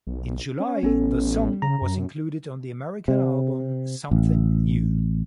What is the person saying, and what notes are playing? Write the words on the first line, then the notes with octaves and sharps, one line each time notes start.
In July, the song was included on the American album "Something New".
B1
C#4
A1 B3 C#4 A4
C#3 A#5
F#2
C3
A1